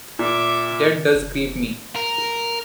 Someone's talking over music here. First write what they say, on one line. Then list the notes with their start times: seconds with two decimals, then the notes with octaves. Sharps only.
That does grieve me.
0.19 A#2 E5 D6
1.15 F1
1.96 A#4